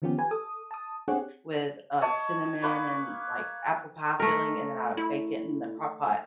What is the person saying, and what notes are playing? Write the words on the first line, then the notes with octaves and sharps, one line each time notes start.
with, uh, cinnamon and, like, apple pie filling, and then I bake it in the Crock-Pot,
D#3 F3 B3 C#4 G4
G4 B4 G#5
A4 D#6
A5 D#6
C4 D4 G4 G#4 C#5 F#5
C#5 D#5 A5
A#3 B4 C#5
A3 A#4
E4